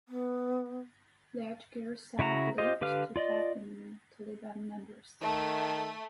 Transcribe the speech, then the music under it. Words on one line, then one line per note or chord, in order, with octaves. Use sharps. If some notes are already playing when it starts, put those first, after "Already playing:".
The attackers are believed to have been Taliban members.
B3
C#3 E4 F#4 A#5
F4 G4 C5 D#5
D3 G4 B4 F5 F6
F4 D5 D#5
D#3 A3